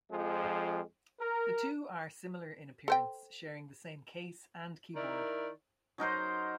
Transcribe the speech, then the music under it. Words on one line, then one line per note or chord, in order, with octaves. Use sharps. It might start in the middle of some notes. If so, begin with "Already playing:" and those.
The two are similar in appearance, sharing the same case and keyboard.
F2 F3 G#3
A#4
A4 C5 G5
D#3 E4 A#4 D5
F#3 D#4 A#4 C5